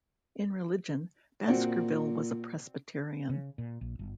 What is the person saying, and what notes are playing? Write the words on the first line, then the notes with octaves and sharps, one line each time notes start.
In religion, Baskerville was a Presbyterian.
A#2 C4 F#4 D5
C#3
A#2
A#1
G1